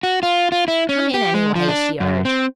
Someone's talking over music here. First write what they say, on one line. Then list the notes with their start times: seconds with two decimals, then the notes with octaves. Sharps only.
"Come in, anyway," she urged.
0.03 F#4
0.23 F4
0.52 F4
0.68 E4
0.89 C#4
1.14 G4
1.34 G#3
1.55 F3
1.68 D4
2.00 F#2
2.25 C4